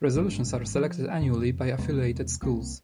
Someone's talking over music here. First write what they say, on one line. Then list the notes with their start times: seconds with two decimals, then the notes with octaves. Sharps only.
Resolutions are selected annually by affiliated schools.
0.15 G#1 G2 A3 D4
0.75 F3
1.21 F2 C3
1.79 E2 C3 G#3 B3
2.42 C2 A#3 C4